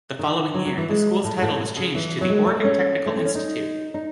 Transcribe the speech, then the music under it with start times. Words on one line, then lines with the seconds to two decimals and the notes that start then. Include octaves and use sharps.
The following year, the school's title was changed to the Oregon Technical Institute.
0.19 D#3
0.54 F#3
0.66 F#3
0.77 E3
0.89 G#3
1.24 A2
1.41 A2
1.77 C#3
1.95 E3
2.21 F#3
2.30 G#3
2.47 A3
2.64 C#4
3.06 A3
3.16 C4
3.25 C#4
3.35 D#4
3.94 D#4